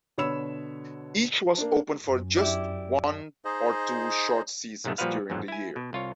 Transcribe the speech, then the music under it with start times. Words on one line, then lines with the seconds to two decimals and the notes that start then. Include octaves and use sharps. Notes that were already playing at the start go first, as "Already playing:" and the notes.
Each was open for just one or two short seasons during the year.
0.18 B2 D3 C#5 B5 E6 E7
1.58 A#3 D4
2.03 F#2
2.37 E4 G4 D5
3.45 D#4 G#4 C5 D#5
4.84 B1 G#2 C3 D#3 A3
4.98 A#2 F3 G3 F#4 B4 F5
5.30 A1 F2 G#2 F#3
5.48 E4 G#5
5.76 B2
5.93 C2 F4 C#5